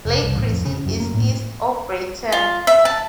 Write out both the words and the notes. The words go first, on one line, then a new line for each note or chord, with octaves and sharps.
Lake Chrissie is east of Breyten.
F1
C2
A1
F2
C#3
F#2
A#3
A2
F4
E5
A5